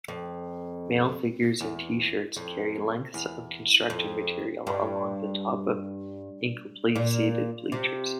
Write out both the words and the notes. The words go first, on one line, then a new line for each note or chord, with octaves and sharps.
Male figures in Tshirts carry lengths of construction material along the top of incomplete seated bleachers.
F2
E2
F2
E2
F2
G2
A#2
C3